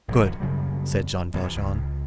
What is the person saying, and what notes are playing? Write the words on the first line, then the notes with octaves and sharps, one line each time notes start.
"Good," said Jean Valjean.
G#1 B2 F#3
F#2 C#3 F#3 G3
E2 C3 E3
C#2